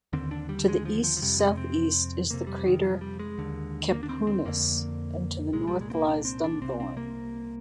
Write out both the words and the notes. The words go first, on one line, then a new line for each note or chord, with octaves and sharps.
To the east-southeast is the crater Capuanus, and to the north lies Dunthorne.
D#2 D3 C4
D4
G3
G#3
F3
F3
F3
F2 C3 G3
G#3
C4
F2 C3 A#3
G3
D#3
F3
G3
G#3
D#2 D3
A#3
D4
C4
C4
F2 D3 A#3
C2 A#2 G#3
G3
G#3
C4
A#3
D4
C4
D4
C2 C3 C4
C4
A#3